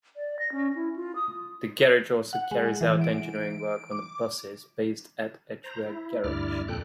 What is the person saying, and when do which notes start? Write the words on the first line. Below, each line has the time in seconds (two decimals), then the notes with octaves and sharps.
The garage also carries out engineering work on buses based at Edgware garage.
0.16 D5
0.39 A#6
0.52 C#4
0.75 E4
0.96 F4
1.15 D#6
2.33 F#5
2.51 G#3
2.81 E3
3.01 D7
3.35 D7
3.91 D6
5.64 C5 A#5
5.86 E4
6.24 D2 G2 E4 D5 F6
6.68 F2 A#2 A4 G5 F#6